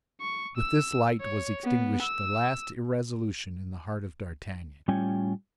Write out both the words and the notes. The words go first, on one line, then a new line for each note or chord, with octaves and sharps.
With this light was extinguished the last irresolution in the heart of d'Artagnan.
C#6
E6
C#5
B3
E6
A2 G3 C#4 F4 G5 G#5